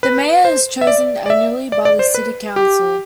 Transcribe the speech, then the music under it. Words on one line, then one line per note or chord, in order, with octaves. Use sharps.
The mayor is chosen annually by the city council.
B4
C5
E5
D5
D5
E5
D5
D5
C5
B4
G4